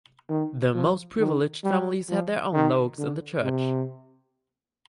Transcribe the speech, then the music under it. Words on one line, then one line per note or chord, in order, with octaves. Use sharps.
The most privileged families had their own loges in the church.
D#3
F3
D#3
G3
F3
D#3
D3
C3